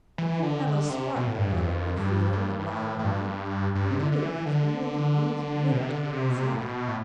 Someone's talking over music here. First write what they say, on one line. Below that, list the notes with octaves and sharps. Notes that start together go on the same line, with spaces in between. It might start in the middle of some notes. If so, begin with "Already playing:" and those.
If you have a spark of honourable feeling alive in you, be good enough to move your leaves a little to one side.
E3
D3
D3
C3
B2
A2
G2
E2
F2
G2
G2
G2
A2
A2
G2
G2
C3
D3
D3
E3
D3
B2
C3
D3
C3
B2
C3
A2
B2
A2